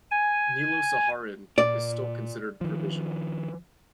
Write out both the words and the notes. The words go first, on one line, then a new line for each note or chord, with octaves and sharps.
Nilo-Saharan is still considered provisional.
G#5
A#2 D5
D#3 F3